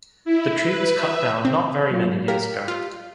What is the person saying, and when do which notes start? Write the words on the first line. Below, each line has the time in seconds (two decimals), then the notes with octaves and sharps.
The tree was cut down not very many years ago.
0.25 E4
0.64 B4
0.97 E5
1.45 C4
1.91 F#3 A#3 F4
2.28 G4 A#4 F5 B6
2.68 F4